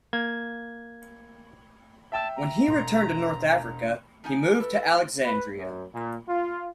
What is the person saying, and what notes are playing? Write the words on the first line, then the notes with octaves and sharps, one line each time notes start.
When he returned to North Africa, he moved to Alexandria.
A#3 G#6
E5 G5 A5 E6
A#5
E1 C6
F3 D#4 G#5
E4 A4 B4
B4
F#2
A#2
F4